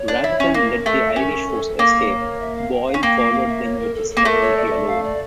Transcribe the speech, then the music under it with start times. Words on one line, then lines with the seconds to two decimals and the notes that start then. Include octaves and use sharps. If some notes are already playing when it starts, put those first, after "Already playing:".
Rather than let the Irish force escape, Boyle followed them with his cavalry alone.
Already playing: C#5
0.08 D4
0.24 E4
0.40 C#4
0.54 A#3 A#4
0.86 A3 A4
1.16 C#4 A#4
1.48 A4
1.78 A#3 A#4
1.99 C#5
2.19 C#5
2.40 E5
2.56 F5
2.72 G5
2.87 F5
2.94 C#4
2.99 F5
3.02 A#3 G5
3.18 F5
3.33 F5
3.48 E5
3.64 C#5
3.80 A#4
3.95 A4
4.10 A4
4.17 A#3
4.25 A3 A#4
4.41 C#5
4.57 D5
4.65 E5
4.73 D5
4.87 F5
5.03 D5